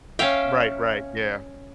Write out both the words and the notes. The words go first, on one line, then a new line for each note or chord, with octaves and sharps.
Right, right, yeah.
C#4 E5 F5 G5